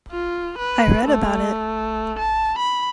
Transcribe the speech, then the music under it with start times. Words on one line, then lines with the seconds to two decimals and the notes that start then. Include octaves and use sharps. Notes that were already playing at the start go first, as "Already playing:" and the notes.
I read about it.
0.12 F4
0.58 B4
1.06 A3
2.19 A5
2.59 B5